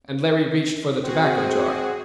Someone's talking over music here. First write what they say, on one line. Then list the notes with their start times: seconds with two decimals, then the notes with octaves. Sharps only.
And Larry reached for the tobacco jar.
1.04 C4 F#4 G#4